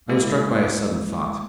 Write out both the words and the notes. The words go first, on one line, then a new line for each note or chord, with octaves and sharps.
I was struck by a sudden thought.
G#3 A#3 E4